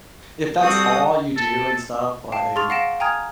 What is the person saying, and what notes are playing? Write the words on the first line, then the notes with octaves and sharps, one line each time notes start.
if that's all you do and stuff, like,
G3 C4 F#4 A4 D#6
A4
F5 G5 A5
G#4 C6 C#6 F6 A6 F7
F5 F#5 A#6 D7 E7
G5 G#5 A#5 D#6 F6 G#6